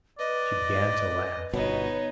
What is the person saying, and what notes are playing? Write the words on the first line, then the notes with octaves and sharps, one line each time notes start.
She began to laugh.
B4 D5 D#5
G1 B2 B3 D#4 C#5